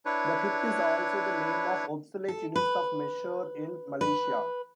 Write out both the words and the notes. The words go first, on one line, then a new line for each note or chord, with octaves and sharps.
The kip is also the name of obsolete units of measure in Malaysia.
D4 E4 B4 C#5
A4
B4
B4